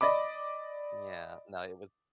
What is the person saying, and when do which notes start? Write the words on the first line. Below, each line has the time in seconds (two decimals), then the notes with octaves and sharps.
Yeah, no, it was
0.01 D5 D#5 B5 D6